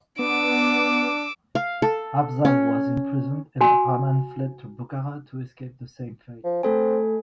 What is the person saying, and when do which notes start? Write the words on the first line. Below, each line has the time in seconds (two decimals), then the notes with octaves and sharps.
Afzal was imprisoned and Rahman fled to Bukhara to escape the same fate.
0.19 B3 D4 D6 E6
1.55 F5
1.82 A4
2.45 C#4
3.61 F#4 G#5
6.44 F3
6.63 A3 C4 A4 G#5